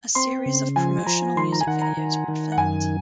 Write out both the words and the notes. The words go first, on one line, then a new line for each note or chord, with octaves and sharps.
A series of promotional music videos were filmed.
C4 C6
C#3
F3 G#5
F3 A#5
D#3 C6
A#5
G#5
D#3 F#5
A#5
D#3
D#3
F#5
F#2 G#5